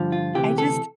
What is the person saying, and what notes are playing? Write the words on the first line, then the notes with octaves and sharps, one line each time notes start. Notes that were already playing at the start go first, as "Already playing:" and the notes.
I just
Already playing: G2 D3 F3
F4
D2 C3 E3 G4
A4